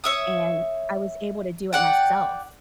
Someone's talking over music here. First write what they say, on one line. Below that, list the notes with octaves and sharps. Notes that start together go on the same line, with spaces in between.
and I was able to do it myself."
C#5 E5 D#6
D5 F#5 G5